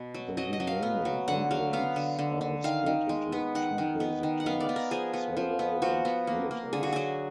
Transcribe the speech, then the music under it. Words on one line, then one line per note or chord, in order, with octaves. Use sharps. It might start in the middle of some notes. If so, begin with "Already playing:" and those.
The remaining androids are split into two basic types: servile and military.
Already playing: B2 B3
F#3
F#3 D#5
D#5
F#3
F5
B3
F#3
D3 F#5
F#3 F5
B3 F5
D3
D3
D3
D#3 F5
D#3
G#3
B3
D#3 F#5
D#3
B3
D#3
F#5
B3 F5
D5
B3
A#4
F3 G#4
B3
F3
B3
F3 F#4
B3
A#3
A#3
D3 G#4
F#4
F#3 G#4